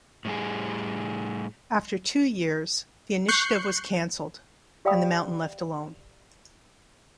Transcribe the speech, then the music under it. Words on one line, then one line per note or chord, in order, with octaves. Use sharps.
After two years the initiative was cancelled and the mountain left alone.
A2 G3 G#4
C#6 F#6 G6 C7 C#7
G4 D5 F5 G5 B5 D#6